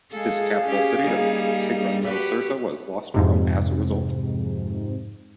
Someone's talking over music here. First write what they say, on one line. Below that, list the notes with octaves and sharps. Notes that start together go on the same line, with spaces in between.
His capital city of Tigranocerta was lost to Rome as a result.
G#3 G#4 A4 F5
C#4 G4
G3 A#3 D#4
F#4 G4 B4
F2 G#2 C3